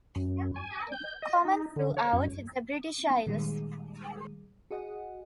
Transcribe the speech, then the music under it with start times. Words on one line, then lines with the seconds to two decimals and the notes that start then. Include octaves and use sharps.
Common throughout the British Isles.
0.16 F#2
0.56 G#5
0.92 G6
1.22 D#5
1.45 D#4
1.76 D3
1.97 C#5
2.13 F#2
3.27 A#2 D#3 G3 G#3 G#4
4.71 F#4 G#4 D#5 F#5